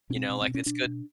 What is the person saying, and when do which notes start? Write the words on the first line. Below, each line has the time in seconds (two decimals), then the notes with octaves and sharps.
you know, like, it's good
0.10 B2 C#4
0.16 C4
0.30 B2
0.41 C4
0.48 B2
0.55 C#4
0.66 B2 D4
0.85 B2